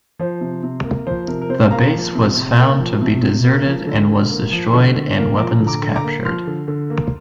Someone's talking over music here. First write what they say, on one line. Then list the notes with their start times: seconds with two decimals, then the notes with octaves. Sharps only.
The base was found to be deserted and was destroyed and weapons captured.
0.19 F3 C5
0.41 C3
0.63 C3
0.84 A#3
1.07 F3 C5
1.28 C3 A#4
1.42 A#4
1.49 C3 C5
1.71 A#3 F5 A#5
1.93 F3
2.15 C3
2.36 C3
2.57 A#3
2.79 F3
3.01 C3
3.22 C3
3.44 A#3
3.66 F3
3.87 D3
4.09 D3
4.30 A#3
4.52 F3
4.73 D3
4.95 D3
5.17 A#3
5.38 F3 A#5 D6
5.60 D3
5.67 A#5 D6
5.82 D3
5.96 A#5 D6
6.04 A#3
6.25 F3 C6 F6
6.47 D3
6.68 D3
6.90 A#3